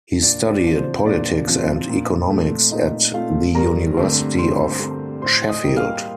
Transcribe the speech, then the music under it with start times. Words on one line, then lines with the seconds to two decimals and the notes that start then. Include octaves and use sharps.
He studied politics and economics at the University of Sheffield.
0.22 A#2 D4 D5
0.41 C5
0.50 D4 D5
0.64 F3 C4
0.78 C5
1.05 A#2 D4 D5
1.47 F3 C4
1.89 A#2
2.30 A3 C4
2.72 A#2 D#4 D#5
3.13 A3 C4 F4 F5
3.55 G2 A#4 A#5
3.97 D3 A3 C4
4.39 G2 C5 C6
4.66 C5 C6
4.80 D3 A3 C4
5.21 A2 C5 C6
5.49 D#5 D#6
5.63 G3 A#3
5.77 F5 F6